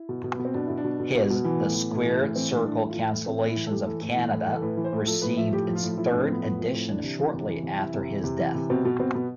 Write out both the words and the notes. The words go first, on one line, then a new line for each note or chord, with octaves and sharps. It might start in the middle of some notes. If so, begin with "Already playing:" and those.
His "The Squared-Circle Cancellations of Canada" received its third edition shortly after his death.
Already playing: E4
B2
B2
B3
B2
C4
B2 D4
B2 E4
D4
B2
B2
B2
B2
E3 B3
A2
E3
A2
E3
A2
E3 C4
A2 D4
E3 D4
A2 E4
F4
E3 E4
A2
E3 C4
A2
E4
E3
A4
A2 G4
E3 A4
A2 A4
E3
A2
E3
A4
A2 B4
E3
C5
A2
F3 A4
A2 B4
F3 E5
A2 G4
F3
F4
A2
F4
F3 E4
D4
A2
C4
F3 B3
A2 B3
F3
C4
A2
E3 D4
C3
E3
C3
E3
C3
E3 E4
C3
E3
C3
E3
C3
B2 C4
B2 B3
B2 C4
B2 B3